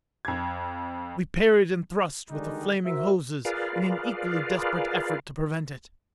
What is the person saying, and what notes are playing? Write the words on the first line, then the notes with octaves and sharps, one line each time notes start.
We parried and thrust with the flaming hoses in an equally desperate effort to prevent it.
F2 G#6
D3 D#3 G3 G#3 D4 D#4
F#4 A#4 C5 E5
F4 G#4 A#4 B4 D5 F5